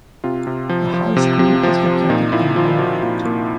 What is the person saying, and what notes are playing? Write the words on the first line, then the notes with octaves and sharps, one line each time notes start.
The high school is located in Linwood.
C3 F4
C3
F3
F3
C3
C3
F3
F3
A#2 D#4
A#2 E4
F3 F4
F3 F#4
A#2
A#2